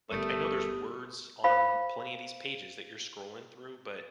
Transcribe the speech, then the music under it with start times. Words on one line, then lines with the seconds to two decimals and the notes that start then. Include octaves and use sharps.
like, I know there's words on plenty of these pages that you're scrolling through, but
0.11 G1 G3 A3 B3 G4 A#4 D#6
1.44 C5 F5 B5